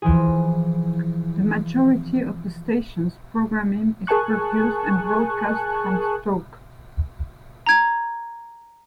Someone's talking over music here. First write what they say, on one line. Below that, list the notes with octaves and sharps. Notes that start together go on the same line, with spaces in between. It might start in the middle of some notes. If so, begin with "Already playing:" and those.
The majority of the station's programming is produced and broadcast from Stoke.
E3 F3 G#4
G#4 A#4 G#5 A5 C#6 F#6
A#5 G#6